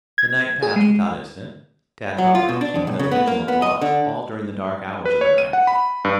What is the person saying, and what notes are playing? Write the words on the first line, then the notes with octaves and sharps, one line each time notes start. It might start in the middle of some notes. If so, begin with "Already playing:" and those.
The night passed without incident, Tad Butler keeping a vigilant watch all during the dark hours of the night.
G#6
G#4
G#3
F#3
F4
B2
D4
F2
B1
C#3
B3
A#3
B3
D#5
D3
B4
C#5
D#7
F#5
B5
G2